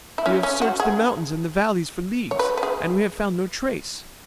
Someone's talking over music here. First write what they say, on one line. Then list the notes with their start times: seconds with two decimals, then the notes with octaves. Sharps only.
We have searched the mountains and the valleys for leagues, and we have found no trace.
0.18 E4
0.26 C#4
0.43 C#4
0.62 F#4
0.80 G#4
2.31 C#5
2.39 B4
2.57 B4
2.63 G#4